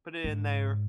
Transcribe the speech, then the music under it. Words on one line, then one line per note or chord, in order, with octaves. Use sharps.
put it in there,
G#2